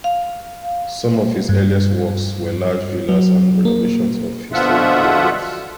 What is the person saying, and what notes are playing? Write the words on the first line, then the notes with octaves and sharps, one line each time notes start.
Some of his earliest works were large villas and renovations of historical buildings.
F5
G2
F#3
A#3
B2 D3 F3 F4 E5 F#5